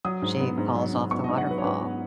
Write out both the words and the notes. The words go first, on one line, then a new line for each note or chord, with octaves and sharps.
she falls off the waterfall.
F#3 D#6
G#2
B3
G#2
F#3
G#2
B3 C#6
G#2 D#5
F#5
F#3 B4
C#5
G#2 B4
B3